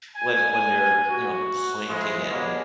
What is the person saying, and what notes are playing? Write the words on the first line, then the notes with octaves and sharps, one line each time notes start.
when when they're, you know, pointing it, and
G#5
F#4
F3 G#3 E4
B2 G3 A#3 C#4 D4 G#4